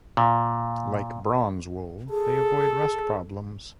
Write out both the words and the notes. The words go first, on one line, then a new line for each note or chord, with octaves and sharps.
Like bronze wool, they avoid rust problems.
A#2
G#4 A4